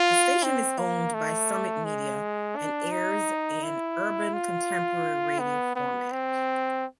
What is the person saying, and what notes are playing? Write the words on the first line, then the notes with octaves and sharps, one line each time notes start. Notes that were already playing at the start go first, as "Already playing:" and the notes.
The station is owned by Summit Media and airs an urban contemporary radio format.
Already playing: F4
C4
A#3
A3
G#3
D4
D#4
E4
F4
B3
B3
C4